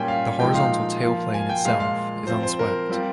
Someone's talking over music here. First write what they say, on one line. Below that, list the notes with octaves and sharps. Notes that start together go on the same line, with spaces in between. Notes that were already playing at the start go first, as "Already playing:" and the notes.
The horizontal tailplane itself is unswept.
Already playing: A#2 G3 A#3 C#4 F4 G5 G#5
F5
A#2 F3 G#3 D#4 G5
F5
F3 A#3 F4
G#5
G5
A#2 F3 G#3 F5
F5
F3 C4 F4 C5
C5
A#4
G3 C4 F4